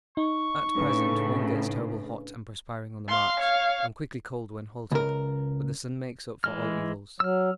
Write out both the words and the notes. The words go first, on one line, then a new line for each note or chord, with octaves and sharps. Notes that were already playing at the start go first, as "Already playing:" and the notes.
At present one gets terrible hot and perspiring on the march, and quickly cold when halted, but the sun makes up for all evils.
D#4 C#6
A2 C#3 D4 B4
F5 C6
C#5 F5
C#2 A#4
E3 G#3 F6
F#3 E6 F6